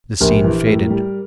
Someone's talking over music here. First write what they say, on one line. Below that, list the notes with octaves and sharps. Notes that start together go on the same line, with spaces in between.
The scene faded.
A#1 G4 A#4
E3
A2
G3